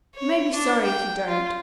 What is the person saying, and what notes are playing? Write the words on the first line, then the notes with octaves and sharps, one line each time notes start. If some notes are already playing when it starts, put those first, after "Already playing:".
"You may be sorry if you don't."
C#5
D4
G5
F4